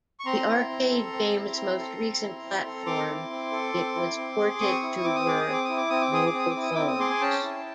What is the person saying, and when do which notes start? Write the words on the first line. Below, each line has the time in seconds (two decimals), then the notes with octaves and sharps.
The arcade game's most recent platform it was ported to were mobile phones.
0.20 C#6
0.26 C4 A#5 C6
0.48 E4
0.69 C4
0.91 A4
1.12 C4
1.34 E4
1.56 C4
1.78 A4
1.99 C4
2.21 E4
2.43 C4
2.65 A4
2.86 C4 C6 D6
3.09 E4
3.30 C4
3.51 A4
3.74 C4
3.95 E4
4.17 C4
4.39 G#4
4.60 C4 C#6 D#6
4.82 E4
5.04 C4 D6
5.15 D#6
5.25 G#4 D6
5.41 D#6
5.47 C4
5.53 D6
5.65 E4 D#6
5.77 D6
5.90 C4 D#6
6.02 D6
6.12 G#4 D#6
6.26 D6
6.34 C4 D#6
6.50 D6
6.56 E4
6.62 D#6
6.75 C4 D6
6.87 D#6
6.99 G#4 C6 D6
7.11 G#5
7.21 C#4 G5 A5
7.43 E4